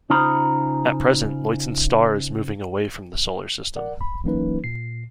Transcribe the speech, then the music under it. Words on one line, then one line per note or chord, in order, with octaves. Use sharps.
At present, Luyten's Star is moving away from the Solar System.
C#3 D#4 F4 C5 A#5 B5
A#1 A#4 D5 F#5
B5
E3 F#3 A#3 C#4 D#4 B4
A#2 C7